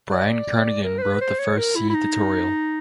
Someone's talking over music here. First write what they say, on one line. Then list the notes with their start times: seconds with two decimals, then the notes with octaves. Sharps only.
Brian Kernighan wrote the first C tutorial.
0.11 D5
0.84 A#4
0.98 C5
1.02 B4
1.21 C5
1.39 C#5
1.58 A#4
1.76 E4
1.90 E4
1.94 D#4